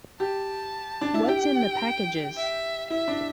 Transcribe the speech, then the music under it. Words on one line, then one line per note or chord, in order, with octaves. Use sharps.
What's in the packages?
G4 A5
D4
E4
G4 G5
E5
E4 E5
D4